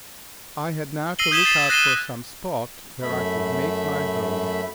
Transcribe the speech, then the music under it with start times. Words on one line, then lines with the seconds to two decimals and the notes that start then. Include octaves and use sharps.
I had now to look out for some spot where I could make my home.
1.19 E6 A#6 C7 D#7 F#7 G7
1.31 D#6 G6 G#6 B6 E7 G7
1.45 A6 B6 C7 E7
1.70 F#6 A#6 C7 D#7 E7 G7
3.02 F#2 A3 E5 B5